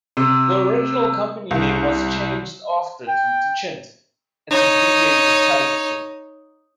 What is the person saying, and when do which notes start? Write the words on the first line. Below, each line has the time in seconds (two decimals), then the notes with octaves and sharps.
The original company name was changed after to "Techint", its abbreviated telex code.
0.17 C3
1.51 C2
3.08 G5
4.50 D#4 C#5